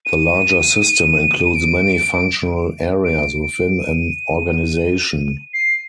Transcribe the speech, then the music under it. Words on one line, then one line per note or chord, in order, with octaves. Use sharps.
The larger system includes many functional areas within an organization.
D#7
D7
D7
D7
D#7
C7